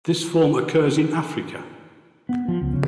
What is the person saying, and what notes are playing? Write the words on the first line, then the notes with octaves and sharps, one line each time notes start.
This form occurs in Africa.
B3
F3
C#2
C#3